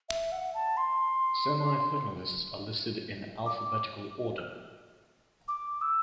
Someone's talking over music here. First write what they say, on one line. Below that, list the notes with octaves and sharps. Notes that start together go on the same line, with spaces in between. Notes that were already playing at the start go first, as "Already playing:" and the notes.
Semi-finalists are listed in alphabetical order.
E5
F#5
A5
C6
D6
D6
E6